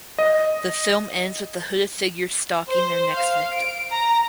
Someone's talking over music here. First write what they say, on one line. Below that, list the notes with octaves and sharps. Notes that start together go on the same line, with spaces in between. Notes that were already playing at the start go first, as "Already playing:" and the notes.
The film ends with the hooded figures stalking their next victim.
D#5
C5
F5
D7
A#5